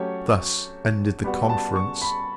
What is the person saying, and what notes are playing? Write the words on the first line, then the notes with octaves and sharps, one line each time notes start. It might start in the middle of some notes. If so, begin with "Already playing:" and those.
Thus ended the conference.
Already playing: F#3 A3 C#4 G4 C#6
G3 B3 F#4 B5
A5
C#6
B5